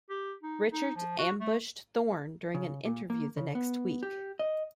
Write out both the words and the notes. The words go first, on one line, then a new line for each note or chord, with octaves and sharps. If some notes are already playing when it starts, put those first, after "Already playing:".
Richards ambushed Thorn during an interview the next week.
G4
D#4
D#4
F3
F#4
A3
C#3
A#2
A#3
C#3
B3
G4
D#5